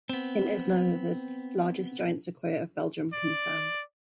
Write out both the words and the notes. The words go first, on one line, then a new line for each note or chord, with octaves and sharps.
In Esneux, the largest giant sequoia of Belgium can be found.
B3 C4
D5